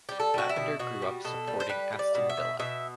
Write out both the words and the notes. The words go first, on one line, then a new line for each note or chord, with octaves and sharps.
Lavender grew up supporting Aston Villa.
G3 G4
A4
G3 F#4
E4
B2
B2 F#4
G3
B2 A4
G3
C5
G3 B4
G3
D5
B2
E5
B2
B2 E5